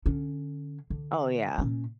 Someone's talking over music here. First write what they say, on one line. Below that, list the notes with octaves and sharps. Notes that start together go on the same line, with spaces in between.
Oh, yeah.
D3 C#4
D3
A#2 C#4